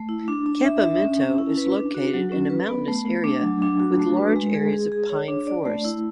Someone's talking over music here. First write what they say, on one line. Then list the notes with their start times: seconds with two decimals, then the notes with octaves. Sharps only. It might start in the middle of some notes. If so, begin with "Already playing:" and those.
Campamento is located in a mountainous area with large areas of pine forests.
Already playing: A3
0.09 E4
0.28 D4
0.46 D4
0.64 E5
0.84 E5
1.01 C#4
1.21 C#4
1.38 E4
1.57 B4
1.77 D4
1.94 F#4
2.14 F#3
2.32 C#4
2.50 B4
2.69 B3
2.88 A3
3.05 A3
3.24 D4
3.43 F#3
3.62 D4
3.80 F#4
3.99 A3
4.17 B4
4.36 G#3
4.54 G#4
4.73 G#4
4.92 G#4
5.10 C#5
5.28 D4
5.47 D5
5.65 A3
5.84 E4